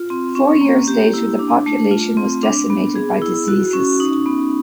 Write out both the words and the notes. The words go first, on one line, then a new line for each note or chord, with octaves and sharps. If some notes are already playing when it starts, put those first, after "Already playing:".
Four years later, the population was decimated by diseases.
Already playing: F4
C4
C#4
A#3
G4
E4
D4
A3
F4
C4
D4
B3
G#4
E4
F#4
C#4
D#4
B3